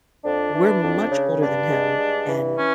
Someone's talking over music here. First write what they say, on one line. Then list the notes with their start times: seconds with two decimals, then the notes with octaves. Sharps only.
we're much older than him, and
0.25 F2 D4
0.54 E3
0.83 F2
1.12 C#3
1.41 G2 D4
1.70 G#3
1.99 G2
2.28 E3
2.57 C#4